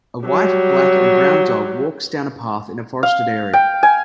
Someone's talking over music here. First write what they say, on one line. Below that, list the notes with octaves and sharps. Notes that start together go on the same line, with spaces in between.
A white, black, and brown dog walks down a path in a forested area.
F#3 G3
F5
G5
G#5